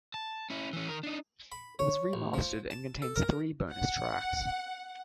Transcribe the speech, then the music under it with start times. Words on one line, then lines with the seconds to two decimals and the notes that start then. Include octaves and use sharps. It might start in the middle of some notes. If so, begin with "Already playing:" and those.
It was remastered and contains three bonus tracks.
0.14 A5
0.50 C#4 E4
0.73 E3 C#4
0.88 D#3 A#4
1.03 D4 D#4
1.52 B5
1.79 C#5
2.13 A1
2.34 F3
2.71 A5
3.02 A4
3.16 A#4
3.71 F#5